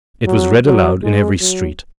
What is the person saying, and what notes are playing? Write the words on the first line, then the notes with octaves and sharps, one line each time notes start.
It was read aloud in every street.
F#3
F#3
G#3
F#3